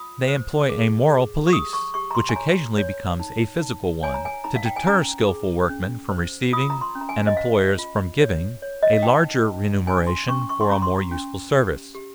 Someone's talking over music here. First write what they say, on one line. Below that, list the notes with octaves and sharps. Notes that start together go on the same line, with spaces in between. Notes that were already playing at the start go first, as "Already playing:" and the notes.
And they employ a moral police, which occasionally becomes a physical one, to deter skilful workmen from receiving, and employers from giving, a larger remuneration for a more useful service.
Already playing: F4 D#6
C5
G#4
G#4
C#6
G4 D#6
C#6
G4 C#6
A#5
C6
G#5
C#5 A#5
C#5
D#4
D#4
C#5 G#5
A#5
G#5
D#4 A#5
F5
G5
G#5
C#4 A#5
G#4
C#4
C5
F4 D#6
A#5
C6
C#4
A#5
G#5
D#5
C5 F5
F4
C#5
C#5
D#5
F5
D#4 G5
D#4
C#4 G#5
C6
C#4 C#6
C#6
C6
C#4 A#5
C6
C#4
G4
G4